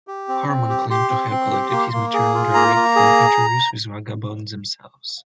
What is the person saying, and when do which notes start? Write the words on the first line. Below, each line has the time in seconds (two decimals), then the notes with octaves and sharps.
Harman claimed to have collected his material direct from interviews with vagabonds themselves.
0.08 G4
0.28 C4
0.48 C4
0.69 G4
0.90 G4 C6
1.10 C4
1.31 C4
1.52 G4
1.72 A#3
1.93 A#3
2.14 G#4
2.35 F4
2.54 A#3 A#5
2.76 A#3
2.96 G#4